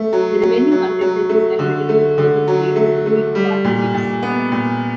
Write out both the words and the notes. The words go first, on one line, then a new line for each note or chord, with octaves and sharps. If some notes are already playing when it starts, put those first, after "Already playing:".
The remaining contestant was eliminated from further play and received parting gifts.
Already playing: A3
F#3
F#3
F#3
F#3
A3
D3
A3
D3
F#3
A3
A3
G3
A#2
A#2
B3
A#2